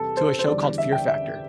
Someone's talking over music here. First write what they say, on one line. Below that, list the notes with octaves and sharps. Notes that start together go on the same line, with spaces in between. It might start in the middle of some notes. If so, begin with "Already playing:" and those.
to a show called Fear Factor.
Already playing: E2 C3 G3 A4 A5
C5
C5
E2 D3 G3 D5
E5
G5
E5